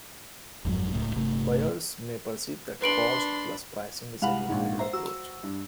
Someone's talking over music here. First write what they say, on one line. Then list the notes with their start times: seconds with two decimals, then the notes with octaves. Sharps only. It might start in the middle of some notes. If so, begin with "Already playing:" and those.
Buyers may perceive that cost-plus pricing is a reasonable approach.
0.65 G1 F2 G#2 F#3
0.93 D1 C#2 A2
1.15 G1 C3 A3
2.82 D4 B4 B5 C6 D7 F#7
4.22 C2 G#3 F5 F#5 B5
4.49 A#1 G#2
4.79 C5 E5 A#5
4.93 F#4 E6
5.43 G2